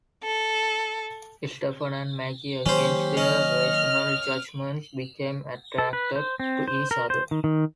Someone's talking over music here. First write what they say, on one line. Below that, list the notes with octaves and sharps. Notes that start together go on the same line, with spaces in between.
Stephen and Maggie, against their rational judgments, become attracted to each other.
A4
D#3 F#3 A#3 C#4 G4 C5
C#4 D#5 F6
A4
B4
C5
C4
C5
A#4
C5
D#3
D#3